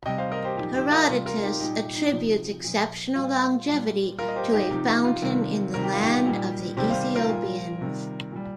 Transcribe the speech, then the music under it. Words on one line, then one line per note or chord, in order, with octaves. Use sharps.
Herodotus attributes exceptional longevity to a fountain in the land of the Ethiopians.
C3 G3 D#5 G5
C5 F5
A#4 D#5
G4 C5
A#2 F3 D#4 G4
D#4 G4
F4 A#4
C3 G3 F4
F4 A#4
D#4 G4
A#2 G3 D#4 G4
D#4
D#4
C3 F3
A#2 F3
A#2 G3 F4
A#2 G3
A#2 G3 F4 A#4
D#5
G4 C5
D#4 G4
C3 F3 D#4 G4
D#4
F4
C3 D#3 G3
C3 D#3 G3 A#4
G4
F4
D#4 G4
A#2 G3
C3 D#3 G3 G4 C5
C5 F5
F4 A#4
A#2 G3
C3 D#3 G3
A#2 G3